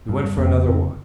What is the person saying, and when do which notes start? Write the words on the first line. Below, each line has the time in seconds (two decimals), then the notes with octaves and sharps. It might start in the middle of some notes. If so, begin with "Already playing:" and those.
We went for another walk.
0.09 G2
0.24 G2
0.38 F2 A#3
0.47 C4
0.53 C#3 A#3
0.68 F2 C4